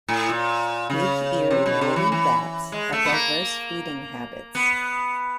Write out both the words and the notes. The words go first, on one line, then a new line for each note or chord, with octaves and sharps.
Big-Eared Woolly Bats have diverse feeding habits.
A2
A#2
C#3
C3
B2
C3
E3
E3
G#3
A3
B3
A#3
B3